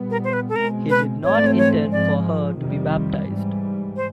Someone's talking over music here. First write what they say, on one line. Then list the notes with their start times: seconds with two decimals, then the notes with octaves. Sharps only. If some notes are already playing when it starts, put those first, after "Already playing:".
He did not intend for her to be baptized.
Already playing: A#2 G3 B3
0.10 A#4
0.24 C5
0.33 B4
0.49 A4
0.56 B2 G#3 C4 A#4
0.90 B4
1.23 G#2 E3 A3 C4 C#5
1.35 D5
1.46 C#5
1.58 C#5
1.92 G#2 F3 G#3 D5
2.61 F2 C3 D#3 G3
3.28 G#2 E3 G3
3.96 C5